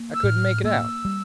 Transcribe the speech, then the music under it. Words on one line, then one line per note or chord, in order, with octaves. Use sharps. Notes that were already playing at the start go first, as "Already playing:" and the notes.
I couldn't make it out.
Already playing: A#3
E6
A2 F6
A#3 E6
G3